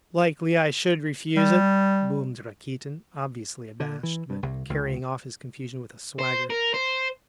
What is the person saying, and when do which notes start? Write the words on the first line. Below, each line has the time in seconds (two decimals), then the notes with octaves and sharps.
"Likely I should refuse it," boomed Rakitin, obviously abashed, but carrying off his confusion with a swagger.
1.36 G3
3.80 D3
4.03 E3
4.30 G2
4.43 C2
4.70 C#2
6.19 C5
6.50 A#4
6.74 C5